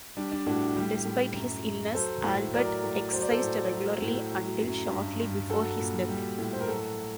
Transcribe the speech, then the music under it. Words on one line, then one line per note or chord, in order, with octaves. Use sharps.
Despite his illness, Albert exercised regularly until shortly before his death.
G3 D4
D4
A2 D4 F#4
G3
A2
F#2
F#2
F#3 A4 C5
A2
F#3 A#4 D5
A2
F#3 C5
D5
A4 C5
A2
F#3
A2
F#3
F#2
G2
G2
F#3 F#4 A4
A#2
G3
A2
C5
A#4
F#3 F#4 A4